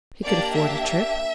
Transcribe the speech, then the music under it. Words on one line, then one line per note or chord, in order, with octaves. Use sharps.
He could afford a trip.
A#3 D4 G4 D5
E5